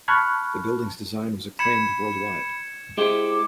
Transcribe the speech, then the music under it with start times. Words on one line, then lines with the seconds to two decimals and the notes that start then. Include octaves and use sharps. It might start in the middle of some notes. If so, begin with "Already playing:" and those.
The building's design was acclaimed worldwide.
0.08 A5 B5 C#6 F6 F#6 G#6
1.59 B5 G#6 C#7 E7
2.97 G#3 E4 G4 C5 D6